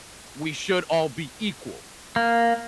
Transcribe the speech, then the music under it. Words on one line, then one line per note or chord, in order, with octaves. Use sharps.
we should all be equal,
A#3